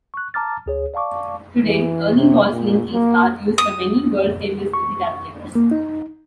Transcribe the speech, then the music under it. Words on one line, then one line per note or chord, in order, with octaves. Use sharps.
Today Ernie Ball Slinkys are used by many world famous guitar players.
C#6 F#6
A5 A#5 D6 F6 A6
D2 G#4 C#5
D5 F5 A5 C#6 D6
E3
C3
A#2
A#3
D#6
C#6
A#3
D#4